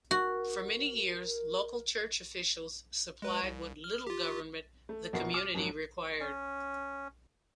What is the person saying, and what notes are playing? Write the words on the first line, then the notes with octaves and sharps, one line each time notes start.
For many years local church officials supplied what little government the community required.
F#4 A#4
G#3 B4
C2
F6
F4 G4
A3
A#1 B2 A#4 F#5 C7
D6 F6 D#7
F2 G#2 F#3
C#4